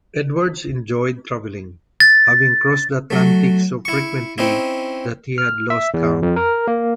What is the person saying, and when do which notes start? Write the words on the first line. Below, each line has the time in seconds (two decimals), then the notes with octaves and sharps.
Edwards enjoyed traveling, having crossed the Atlantic so frequently that he had lost count.
2.00 A6
3.10 F#3 A3
3.85 E4 C#6
4.38 C4 C#4 D#4 E4
5.38 F6
5.70 E5
5.94 E2
6.22 F2
6.36 A#4
6.68 A#3